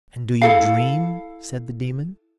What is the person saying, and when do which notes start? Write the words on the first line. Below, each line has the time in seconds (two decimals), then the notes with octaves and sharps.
"And do you dream?" said the daemon.
0.41 E4 A4 F5